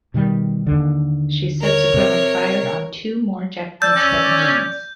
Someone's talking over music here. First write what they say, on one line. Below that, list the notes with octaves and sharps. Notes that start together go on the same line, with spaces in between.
She subsequently fired on two more Japanese submarines.
B2 D#3 G3
D#2 D3
A#4 C#5
C3
D5 A5 E6 G6
C#4